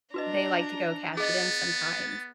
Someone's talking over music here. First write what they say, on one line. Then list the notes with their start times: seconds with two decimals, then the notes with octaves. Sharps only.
they like to go cash it in sometimes,
0.14 D4 F#4 B4 D#5 A#5
1.17 B3 G#4 D#5 A6